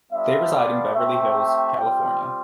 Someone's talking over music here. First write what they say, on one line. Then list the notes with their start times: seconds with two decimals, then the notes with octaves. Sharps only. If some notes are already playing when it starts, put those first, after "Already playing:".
They reside in Beverly Hills, California.
0.12 G3 B3 D4 F4 E5
0.53 D5
0.95 A3 C4 G4 E5
1.77 G3 C4 F4 G5